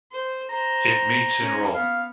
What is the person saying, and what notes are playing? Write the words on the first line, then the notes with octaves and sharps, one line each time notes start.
It meets in Rome.
C5
C5 A#5
C#4
B3 F5